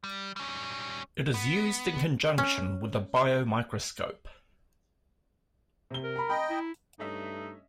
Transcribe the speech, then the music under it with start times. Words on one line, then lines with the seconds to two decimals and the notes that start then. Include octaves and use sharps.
It is used in conjunction with a biomicroscope.
0.04 G3
0.36 G3 C#4
1.34 B3
2.38 C#4
5.91 C3 G7
6.03 A#4
6.16 A#5 B5
6.29 D#5 G5 A#5 B5
6.50 E4
6.99 G2 A3 C#4 D#4 D#5 E5